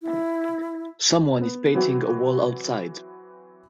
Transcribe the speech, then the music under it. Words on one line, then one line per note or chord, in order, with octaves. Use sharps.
Someone is painting a wall outside.
E4
B3
E3 F#3 C4 F#4